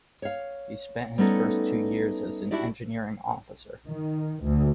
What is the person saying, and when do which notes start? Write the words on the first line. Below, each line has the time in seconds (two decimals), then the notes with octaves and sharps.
He spent his first two years as an engineering officer.
0.22 C#5 F5
1.18 G3 A3 B3 C#4 D#4 A4
2.51 D4 E4 F#4 G4 D5
3.87 D#3
4.44 D2